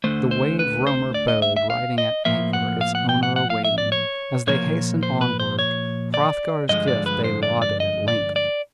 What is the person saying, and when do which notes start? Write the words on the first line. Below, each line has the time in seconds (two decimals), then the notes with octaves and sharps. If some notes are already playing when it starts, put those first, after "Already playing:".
The wave-roamer bode riding at anchor, its owner awaiting. As they hastened onward, Hrothgar's gift they lauded at length.
0.04 D2 D3 F3 A3 C5
0.31 C5
0.59 B4
0.87 C5
1.14 D5
1.28 D#5
1.42 E5
1.57 E5
1.70 F5
1.98 D#5
2.25 A2 F3 A#3 E5
2.53 F#5
2.81 F5
2.95 F#5
3.09 G5
3.23 F#5
3.36 F#5
3.50 F5
3.65 E5
3.78 D5
3.92 C#5
4.47 A#2 F3 A#3 C#5
5.03 C5
5.21 B4
5.40 C5
5.59 C#5
6.14 D5
6.69 G2 D3 F3 G#3 D#5
6.88 D5
7.06 B4
7.24 C5
7.43 D5
7.62 D5
7.80 D#5
8.08 D5
8.36 D5